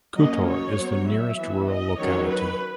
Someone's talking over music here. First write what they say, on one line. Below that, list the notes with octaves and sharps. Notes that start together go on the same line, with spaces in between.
Khutor is the nearest rural locality.
F#3 A#3 C#4 D#5
C#5
F#3 B3
E5
E3 B3
D#5
D#3 F#3 C#4 C#5
B4